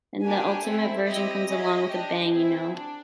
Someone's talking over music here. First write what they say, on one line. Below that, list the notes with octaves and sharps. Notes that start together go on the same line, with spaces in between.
And the ultimate version comes along with a bang, you know.
A#3 D4 G4 G#5
C4 E4 A4
C4 E4 G4 D#5
C#4 E4 G#4
D4 G4
C4 E4 G#4
D4